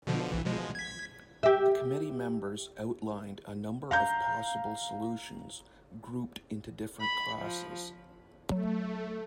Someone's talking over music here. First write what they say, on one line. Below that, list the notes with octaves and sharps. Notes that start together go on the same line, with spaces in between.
The Committee members outlined a number of possible solutions grouped into different classes.
B2 D3 F3
A#1 E3
B2 F3 G#3
G#6 B6
G4 E5
F5 A#5 G6
B5
F3
F#3 A3